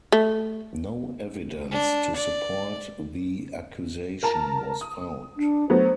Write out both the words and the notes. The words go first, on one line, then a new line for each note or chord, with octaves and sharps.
No evidence to support the accusation was found.
A3
D4
D5
A#4 A5 A#5
D#6
D4
F#3 A3 B3 C5